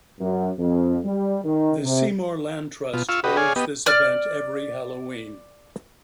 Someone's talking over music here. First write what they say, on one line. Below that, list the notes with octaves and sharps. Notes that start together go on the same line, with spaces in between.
The Seymour Land Trust holds this event every Halloween.
F#2
F2
G3
D#3
C3
B2 F4
F4 F5 C#6 E6
F#4 G4 B4 D#5
G#4 C#5 D5 F5 G#5
B3 G4 D#5
D5 F6